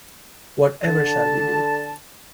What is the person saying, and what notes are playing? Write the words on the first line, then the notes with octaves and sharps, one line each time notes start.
What ever shall we do?
D3 A5